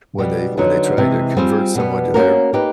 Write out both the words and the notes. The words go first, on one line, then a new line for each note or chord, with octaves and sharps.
when they when they try to convert someone to their
B2 G3 B3
D3 F#3 B3 D#4 F#4
C3 E3 G#3
G3 C4 F4 G#4 C5
B2 G3 B3
A#3 C#4 F#4 A#4
A#3 D#4 G4 B4